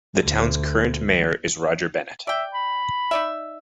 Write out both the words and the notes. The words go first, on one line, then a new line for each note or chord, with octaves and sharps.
The town's current mayor is Roger Bennett.
D2
D5 E5 G5
B5
D#4 D5 E5